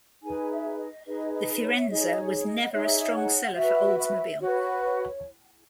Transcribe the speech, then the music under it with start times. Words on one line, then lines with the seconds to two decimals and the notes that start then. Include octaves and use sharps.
The Firenza was never a strong seller for Oldsmobile.
0.21 D#4 G#4 B4 G#5
0.50 E5
0.78 D#5
1.06 D#4 G#4 B4 D#5
1.34 D#5
1.61 C#5
1.77 E5
1.89 D#4 G#4 C#5 D#5
2.18 C#5
2.46 D#5
2.62 F#5
2.73 D#4 G#4 C#5 E5
3.15 F#5
3.57 F#4 B4 E5
3.98 E5
4.40 F#4 B4 C#5
4.83 C#5